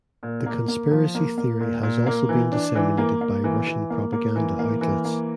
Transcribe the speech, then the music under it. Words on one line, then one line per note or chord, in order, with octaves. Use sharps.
The conspiracy theory has also been disseminated by Russian propaganda outlets.
A#2
A#3
A#3
F3
A#3
A#3
A#2
A#2
A#3
E3
D4
E3
A#3
A#3
E3
E3
A#3
A#3
E3
A#3
E3
A#3